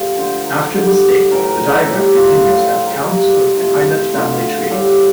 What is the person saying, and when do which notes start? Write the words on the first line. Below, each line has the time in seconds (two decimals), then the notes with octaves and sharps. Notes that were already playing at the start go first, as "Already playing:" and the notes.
After this date, the diagram continues at Counts of Hainaut family tree.
Already playing: A#2 F3 G4 A4
0.18 D3 A3 C5
0.46 A#4
0.75 D3 G3
1.30 A2 E3 A3 A#4
1.45 A#4
1.73 E4
1.87 A2 G3
2.16 F4
2.44 A2 F3 A3
2.58 A4
2.72 A#4
2.86 A#4
3.00 A#2 G3 A4
3.56 C3 F3 A3 E4
4.13 D3 A3 F4
4.70 A2 G3 A4